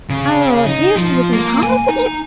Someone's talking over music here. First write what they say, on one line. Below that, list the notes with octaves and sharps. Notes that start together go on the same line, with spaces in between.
Oh dear, she was incompetent!
C#3
D#4
F3
A#3
G#5
D#4